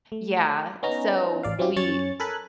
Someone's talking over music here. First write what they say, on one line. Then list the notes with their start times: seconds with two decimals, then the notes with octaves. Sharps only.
yeah, so we
0.12 A3
0.83 B3 C#4 D#4 A#5
1.43 A1 D5 F5
1.59 F#3 C4 C#4 E4 F4 G4
1.77 F#2 C#4 C#5 C#6 A6
2.20 A4 A#4 G#5 B5 F#6